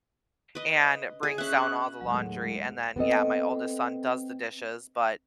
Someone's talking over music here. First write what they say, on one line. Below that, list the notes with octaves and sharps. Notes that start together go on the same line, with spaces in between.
and brings down all the laundry and then yeah, my oldest son does the dishes, but,
B4 D#5
G#4
C#4 E5 F#6
D#2 A2 F#3 G#3
B3 C4 A4 D#5